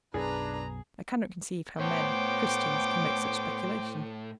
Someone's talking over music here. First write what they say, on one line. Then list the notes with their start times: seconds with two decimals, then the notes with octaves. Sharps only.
I cannot conceive how men, Christians, can make such speculation.
0.14 B1 F#2 D4 G#4 B4 A#5
1.79 A2 B3 C5 C#5 G5 D6